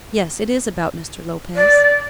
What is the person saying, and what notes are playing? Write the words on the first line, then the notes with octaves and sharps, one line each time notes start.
Yes; it is about Mr. Lopez.
D5